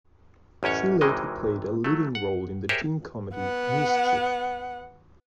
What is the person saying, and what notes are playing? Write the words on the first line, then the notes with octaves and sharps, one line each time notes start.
She later played a leading role in the teen comedy "Mischief".
A1 F#2 C#4 C#5
G#1 C3 D#3 E3 G#3 D#5
F#3 A3
F#5
G4 G#4 A#4 C5 C#5 E5
B3 F#5